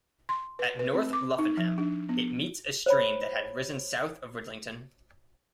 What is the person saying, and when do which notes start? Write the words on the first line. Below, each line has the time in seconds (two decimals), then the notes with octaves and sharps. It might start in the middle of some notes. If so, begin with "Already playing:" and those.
At North Luffenham, it meets a stream that had risen south of Ridlington.
0.29 C6
0.59 B4
0.79 B4
0.94 C4
1.13 D6
1.39 D#4
1.57 F3
1.78 D4
2.09 B3
2.86 C5 C#5 B5